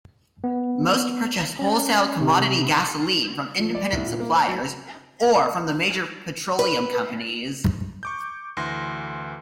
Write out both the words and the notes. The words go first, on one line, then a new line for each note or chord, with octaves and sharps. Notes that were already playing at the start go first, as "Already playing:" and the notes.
Most purchase wholesale commodity gasoline from independent suppliers or from the major petroleum companies.
B3
C#4
C3
F3
D5
C2
A#2
A#3
C5
F#3
B4
C#6 D6 G6
D2 E3 C6 A#6